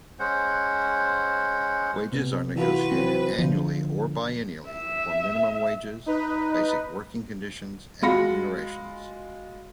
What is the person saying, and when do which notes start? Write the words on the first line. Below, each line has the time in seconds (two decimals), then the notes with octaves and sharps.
Wages are negotiated annually or biennially for minimum wages, basic working conditions and remunerations.
0.19 G#3 C#4 C5 F#5
2.12 C3 B3
2.56 E3 F4 F#4 B4
2.92 F#3 C4
3.39 D3 F3
4.68 E5
6.06 D#4 B4
8.02 G#3 F4 F#4 B5 A#6 C#7